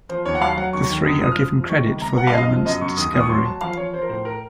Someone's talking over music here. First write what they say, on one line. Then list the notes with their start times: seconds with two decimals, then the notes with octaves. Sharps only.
The three are given credit for the element's discovery.
0.09 F3 C5
0.25 D#2 C#5
0.35 F#5
0.41 F#3 F5
0.57 F#3 F#5
0.73 D#2 C#6
0.90 D#3
1.05 F#2 D#6
1.21 F3 D#6
1.32 F6
1.37 F#2 D#6
1.53 F3
1.69 D#3 C#6
1.86 C2
2.01 C2 A#5
2.17 C2 F#5
2.27 F5
2.33 F#2 D#5
2.49 F3
2.65 F#2 D#5
2.81 F#2 C#6
2.97 D#2 D#6
3.12 D#2 D#6
3.20 C#6
3.29 F#3 C6
3.45 F#3 A5
3.61 F3 F5
3.77 F3 C#5
3.93 F3 C5
4.02 A#4
4.09 A2 C5
4.25 A#4